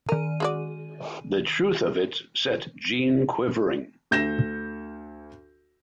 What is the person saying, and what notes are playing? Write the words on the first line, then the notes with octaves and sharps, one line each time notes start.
The truth of it set Jeanne quivering.
D#3 A#4 D#7
G#3 F#4 D5
D2 G6 A#6 E7